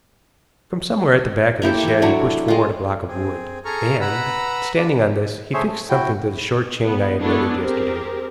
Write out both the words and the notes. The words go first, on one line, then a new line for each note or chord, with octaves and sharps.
From somewhere at the back of the shed he pushed forward a block of wood, and, standing on this, he fixed something to the short chain I had noted yesterday.
A#3 E4 G4 A4
E3 A4
F#3 D4 E4 C#5
G#3 F4
C4 G#4
G#4 A4 A#5 C#6 F6
B4 F#5 A#5 B5 E6
D4 F4
A3 G#4 C5 C#5 E5
A3
E4 F#4 G5
B3
G#3 B3 D4 E4 A4 C#5
C4 G4 G#4 A#4